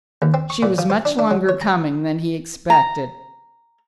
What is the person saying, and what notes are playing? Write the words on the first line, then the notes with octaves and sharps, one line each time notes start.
She was much longer coming than he expected.
D#2
C4
C#6
A#2
F3
C5
D4
D4
F#3
C#5
A#5
A#5